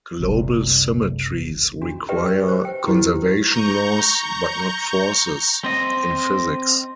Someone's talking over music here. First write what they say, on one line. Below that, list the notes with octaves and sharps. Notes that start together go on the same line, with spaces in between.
Global symmetries require conservation laws, but not forces, in physics.
F#1 C2
D4 F#4
G4 A#4 B4 D5 E5 G5
E6
C5
G5
E4 F4 G4 B4
A#5 C#6 G6
C4 D#5